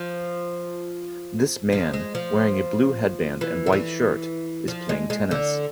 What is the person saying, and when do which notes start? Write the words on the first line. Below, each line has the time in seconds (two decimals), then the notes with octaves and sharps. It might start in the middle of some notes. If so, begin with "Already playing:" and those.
This man, wearing a blue headband and white shirt, is playing tennis.
Already playing: F3
1.72 F3
1.93 G#3
2.15 F3
3.41 E3
3.66 D3
3.72 E3
4.68 F3
4.89 G#3
5.10 G#3
5.31 D3